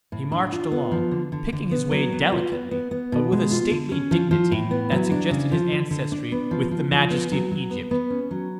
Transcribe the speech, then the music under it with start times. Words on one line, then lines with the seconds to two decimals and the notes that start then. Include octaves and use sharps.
He marched along, picking his way delicately, but with a stately dignity that suggested his ancestry with the majesty of Egypt.
0.12 A2
0.32 D4
0.52 F4
0.72 B3
0.91 F3
1.11 D3
1.32 D3
1.53 D3
1.71 B3
1.91 F#3
2.12 B3
2.32 F4
2.52 B3
2.71 B3
2.91 B3
3.12 B2
3.32 G#3
3.51 F4
3.71 D3
3.92 C#4
4.11 F3
4.31 F3
4.52 A2
4.71 B3
4.92 F#3
5.12 D4
5.31 C#3
5.52 F3
5.72 D3
5.91 D3
6.12 D4
6.32 B3
6.51 F3
6.71 F3
6.91 F3
7.10 B3
7.32 F#3
7.51 F#3
7.71 B3
7.91 B3
8.10 C#4
8.31 F#3